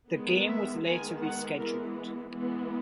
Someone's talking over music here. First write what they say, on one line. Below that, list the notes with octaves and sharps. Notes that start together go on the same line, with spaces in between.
The game was later rescheduled.
D#3 G#3 B3
E5
D#3 G#3 B3 G#5
F#5
E3 G#3 B3 A#4
E3 G#3 B3